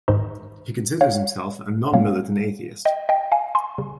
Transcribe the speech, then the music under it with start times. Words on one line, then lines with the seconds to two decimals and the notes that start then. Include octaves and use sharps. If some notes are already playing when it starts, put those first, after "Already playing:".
He considers himself a "non-militant atheist".
0.08 G#2 D#3 G#3 D#4 C5 D#5
1.01 C#5 F5
1.93 A#2 G3 A#3 C#4 C#5 F5
2.85 D#5 G5
3.09 D#5 G5
3.32 F5 G#5
3.55 G#5 C6
3.78 C#3 G3